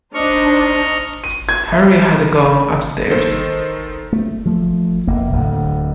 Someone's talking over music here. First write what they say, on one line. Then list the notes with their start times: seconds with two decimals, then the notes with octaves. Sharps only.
Harry had gone upstairs.
0.14 D4 D#4 C5 D#5 C#6 F6
1.24 D#7
1.49 G#6
1.73 E5
3.10 D#3 D#4 A4 C5
4.13 A3
4.46 F3 A3
5.07 F1 A#3
5.32 D1 D2 A2